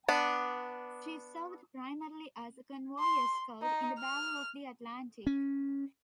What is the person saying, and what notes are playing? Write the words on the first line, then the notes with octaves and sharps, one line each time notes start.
She served primarily as a convoy escort in the Battle of the Atlantic.
B3 D4
C6
D#4
F6
C#4